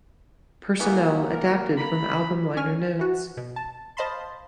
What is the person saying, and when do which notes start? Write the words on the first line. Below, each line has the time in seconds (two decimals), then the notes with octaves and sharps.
Personnel adapted from album liner notes.
0.80 C#3 E3 A#3 B3
1.33 A#4
1.77 A#5 B5
2.57 C#4 G#5 F6
2.99 E3 F#4
3.37 B2
3.56 A5
3.97 C5 D#5 F5 A5 B5 C6